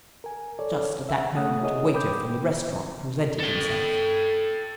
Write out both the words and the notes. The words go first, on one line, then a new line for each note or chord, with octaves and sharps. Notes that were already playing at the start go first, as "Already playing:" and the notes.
Just at that moment a waiter from the restaurant presented himself.
A#4 G#5
A4 C#5 D5
E5 F#5
A3 F#5 D#6
E4 G#4 A#4 C#5 D#5 D#6
G5 B5 D6 D#6 G6
A4 G5